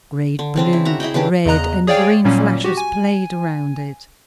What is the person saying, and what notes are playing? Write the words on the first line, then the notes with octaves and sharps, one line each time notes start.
Great blue, red and green flashes played around it.
D3
C#3 C4 D4
E4
F#4 E5 A#5
E4 G#4 D#5 G5
C#3 E3 D4 G4
E2 C#3 D#5 A#5 F#6
G#4 C#5 D5 F5 G5 G#5
A#2 F#3 G3 A#3 C#4
F#4 G4
G#5